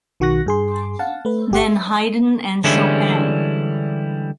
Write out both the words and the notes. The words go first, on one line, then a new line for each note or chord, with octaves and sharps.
Then Haydn and Chopin.
B1 D#3 F#4 C#6 F#6 A#6
G2 G#4 C6
F5 F#5 A5
A3 B4
G1 G4 F#5 C#7
E5
D3 E3 G3 G#3 C#4 E4